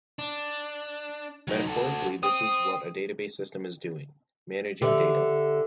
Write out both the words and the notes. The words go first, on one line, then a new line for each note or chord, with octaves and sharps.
Metaphorically this is what a database system is doing - managing data.
D4
F#3 D#4
F#4 A4
C5 G5 D#6
D3 G4 E5